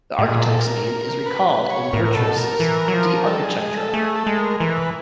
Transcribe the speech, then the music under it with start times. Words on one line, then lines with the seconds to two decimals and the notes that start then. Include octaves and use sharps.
The architect's name is recalled in Vitruvius's "De architectura".
0.19 A2
0.25 A#2 G#4
0.42 A4
0.59 A#4
1.26 B4
1.48 B4
1.70 C#5
1.93 A2 A#4
2.05 A#4
2.15 B2 A4
2.38 A#4
2.60 E3
2.88 F#3
2.94 F3
3.26 G3 A4
3.43 G#4
3.60 G#3 G#4
3.77 A4
3.93 A3 G#4
4.15 A4
4.27 G#3
4.38 A#4
4.60 E3 A#4
4.77 B4